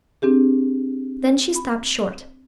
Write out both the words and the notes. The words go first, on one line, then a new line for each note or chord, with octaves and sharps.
Then she stopped short.
C4 D4 G4 G#4
B5